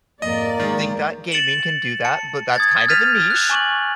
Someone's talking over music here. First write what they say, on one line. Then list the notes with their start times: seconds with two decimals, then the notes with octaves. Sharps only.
think that gaming can do that, but that's kind of a niche,
0.22 F2 G#2 A#3 D5 D#5
0.60 D#3 G#3
1.32 A6 C#7 D7 E7 F#7
2.05 A5 C#7
2.56 D#6 G#6 A6
2.88 F6 G6 A6 B6 D#7 F7
3.30 F#6
3.50 G#5 C#6 D6 F#7